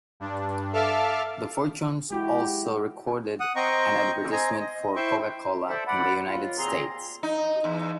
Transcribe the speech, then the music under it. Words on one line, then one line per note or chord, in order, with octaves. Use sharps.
The Fortunes also recorded an advertisement for Coca-Cola in the United States.
G2 D4
A4 E5 F5 A5 D6 F6
G#3 E4 F#4 G4
F#5 D#6
C4 D#5 G5 A#5 C#6
C4 D#5 G#5 A#5
D#5
E4 C5 E5 G5 C#6
A4 C5 D5 E5
D5 F#5 B5
D#2 F4
A#2 C4 G#4 A#5 C6
D#4
E2